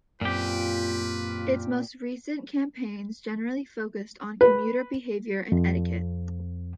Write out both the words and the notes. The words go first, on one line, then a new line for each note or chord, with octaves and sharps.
Its most recent campaigns generally focused on commuter behaviour and etiquette.
F#2 A#2 C4 F4 G4 B4
B4
F2